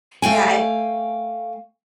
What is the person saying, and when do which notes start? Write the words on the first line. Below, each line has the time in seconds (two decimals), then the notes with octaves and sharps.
yeah I
0.22 A3 F5 G5 G#5